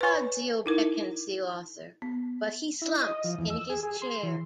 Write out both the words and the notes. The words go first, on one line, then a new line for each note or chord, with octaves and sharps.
Tadzio beckons the author, but he slumps in his chair.
B4 C#5 G#5 C#6
D#4 E4 A#4
B3
E4
D#5
F3
E2
E6
G#4
G#4
C6
E3